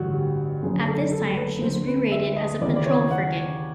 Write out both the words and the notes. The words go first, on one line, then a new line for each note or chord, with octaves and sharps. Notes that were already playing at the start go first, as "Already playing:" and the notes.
At this time, she was re-rated as a patrol frigate.
Already playing: A1 G2 D3 F#4
G4
F#1 F#2 D3 G#4
A4
A4
B4
D2 D3 C5
B4
E5
D#5
D#2 C#3 E3 D5
D5
C#5
F#5